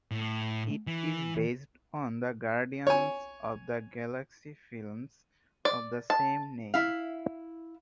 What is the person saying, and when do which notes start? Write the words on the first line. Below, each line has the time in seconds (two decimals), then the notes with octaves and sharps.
It is based on the Guardians of the Galaxy films of the same name.
0.11 A2
0.87 E3
2.87 C#5 G#5
5.65 D5
6.10 A5
6.74 E4 F5